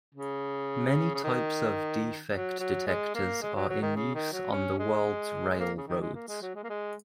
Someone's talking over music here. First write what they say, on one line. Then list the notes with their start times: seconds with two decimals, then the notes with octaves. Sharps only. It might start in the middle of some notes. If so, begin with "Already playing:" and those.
Many types of defect detectors are in use on the world's railroads.
0.15 C#3
1.14 C#3
1.24 D#3
2.32 F#3
2.60 F#3
2.87 G#3
3.15 A#3
3.42 G#3
3.55 F#3
3.69 F#3
3.82 D#3
3.96 C#3
4.14 D#3
4.33 F#3
4.51 C#4
4.78 G#3
5.50 G#3
5.60 A#3
5.77 C#3
5.87 D#3
6.01 G#3
6.14 A#3
6.28 G#3
6.42 F#3
6.55 G#3
6.63 A#3
6.69 G#3